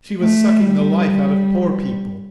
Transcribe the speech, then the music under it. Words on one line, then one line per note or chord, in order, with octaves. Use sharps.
She was sucking the life out of poor people.
A3
G3